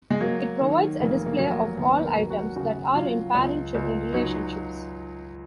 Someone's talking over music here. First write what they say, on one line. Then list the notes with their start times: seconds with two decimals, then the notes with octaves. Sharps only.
It provides a display of all items that are in parent-children relationships.
0.10 G#3
0.20 F#3 A#3
0.60 D#3
1.00 F1 A#3
1.26 A#3
1.39 F#3
1.51 A#3
1.78 D#2 B3
2.04 A#4
2.17 F#3
2.30 F#4
2.56 C#3 F#4
2.95 F#3 F4
3.34 C#2
3.75 C#2
4.13 F#3 D#4